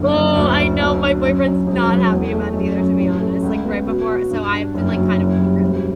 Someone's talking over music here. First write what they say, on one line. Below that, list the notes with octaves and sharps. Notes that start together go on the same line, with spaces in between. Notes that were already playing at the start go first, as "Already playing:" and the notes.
Oh, I know my boyfriend's not happy about it either, to be honest, like right before So I've been, like, kind of secretly
Already playing: F#1 D3
F#1
D2
D2
B1
D4
F#2
F#2
E1
F#3
E2
A3
F#2
F#2
A1
A3
C#2
B3
B2
F#4
G2
D4
F#1
F#3
F#1
G3
E1